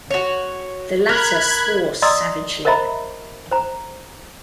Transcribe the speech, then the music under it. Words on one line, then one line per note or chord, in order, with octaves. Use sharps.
The latter swore savagely.
F#4 C#5
A#4 B5 F#6 G#6
D5 D#5 A#5 C6 D#6 E6
A#4 C5 D#5 E5 A#5 B5
C5 A#5